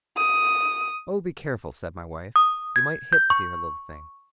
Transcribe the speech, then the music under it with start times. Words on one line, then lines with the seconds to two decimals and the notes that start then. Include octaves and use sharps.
'Oh, be careful,' said my wife; 'you might hit the dear little thing!'
0.17 D#6
2.36 D#6
2.76 G#6
3.13 G6
3.30 C#6